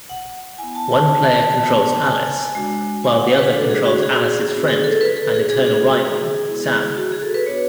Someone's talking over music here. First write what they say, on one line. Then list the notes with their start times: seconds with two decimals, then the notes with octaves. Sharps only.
One player controls Alice, while the other controls Alice's friend and eternal rival: Samm.
0.09 F#5
0.58 B3 E4 G#5
0.75 A5
0.92 A5
1.57 B3 F#4
2.06 G#5
2.55 G#3 D4 F#4
3.04 G#5
3.20 F#5
3.37 B4
3.53 G#3 D4 F#4 A4
3.70 G#4
3.85 F#4
4.02 G#4
4.51 B3 D4 F#4 G#4
4.68 G#4
4.84 A4
5.01 B4
5.17 A4
5.34 G#4
5.50 G#3 D4 F#4 G#4
5.67 G#4
5.83 F#4
5.99 G#4
6.48 G#3 B3 E4
6.97 F#4
7.12 G#4
7.22 A4
7.34 B4
7.46 B3 D4 F#4 C#5